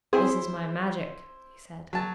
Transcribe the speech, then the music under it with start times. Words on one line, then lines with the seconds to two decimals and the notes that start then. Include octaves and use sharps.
"This is my magic," he said.
0.13 C4 E4 G#4 C5
1.93 F#3 A5